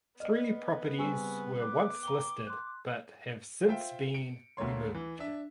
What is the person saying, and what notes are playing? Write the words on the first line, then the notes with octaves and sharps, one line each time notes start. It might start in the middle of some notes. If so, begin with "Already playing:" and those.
Three properties were once listed but have since been removed.
B3 D5 D#5 F6
C#3 G3 C4 G#5 C#6 E6
D6 F#6
G5 A#5 G7
C6 F#6
F4 C5 E5 G5
C#7 D7
D2 A3 A#3 C#5 C6
E3
D4 E5